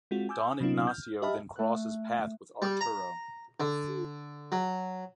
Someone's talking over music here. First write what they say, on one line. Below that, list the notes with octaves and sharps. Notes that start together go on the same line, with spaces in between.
Don Ignacio then crosses path with Arturo.
G#3 C4 F4 F#4
G#5 D6 E6 G6
C3 F#3 B3 C#4 D#4 F4
F6 G6
G4 D#5 E5 A5 B5 F6
A3 F#6
G3
A#5
D3
F#3